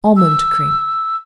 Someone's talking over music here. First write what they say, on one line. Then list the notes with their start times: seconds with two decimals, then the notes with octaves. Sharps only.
Almond Cream.
0.17 E6